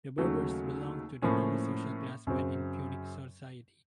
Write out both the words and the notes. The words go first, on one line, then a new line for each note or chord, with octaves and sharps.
The Berbers belonged to the lower social class when in Punic society.
D#2 C#3 F#3 A3
A2 F3 A#3 C#4
F#2 C#3 F#3 C4